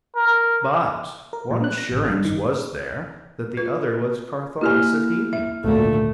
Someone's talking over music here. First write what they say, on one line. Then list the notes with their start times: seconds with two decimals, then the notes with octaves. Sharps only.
But what assurance was there that the other was Carthoris of Helium?
0.15 A#4
1.33 A#4
1.51 A#2
1.64 F#6
1.77 A#6
1.92 A1
2.10 G2
2.25 D#3
3.57 F4 B4
4.61 A#3 E4 F#4 G4 G#5 F6
5.33 E5
5.64 G#1 D2 A#2 A3